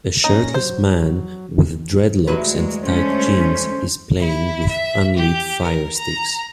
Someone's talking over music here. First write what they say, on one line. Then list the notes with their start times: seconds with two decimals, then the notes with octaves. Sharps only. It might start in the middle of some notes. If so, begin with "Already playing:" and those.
A shirtless man with dreadlocks and tight jeans is playing with unlit fire sticks.
0.24 A#2 C#4 D#4 A#6
0.54 F#3 C5
2.27 D2 F#3 G#3 B4
2.84 G#3 A3 C#4 C5
4.20 E4
4.69 E5
5.17 G4
5.63 A#4
5.97 A#5